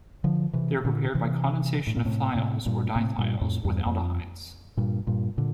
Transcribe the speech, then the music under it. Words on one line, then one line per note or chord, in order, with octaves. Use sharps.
They are prepared by condensation of thiols or dithiols with aldehydes.
D3 F3
C3 E3
A#2 D3
C3 E3
A2
A#2
A2 C3
A2 C3
G2 A#2
A2 C3
G2 A#2
F2 A2
E2 G2
F2
G2 A#2
G2 A#2
A#2 D3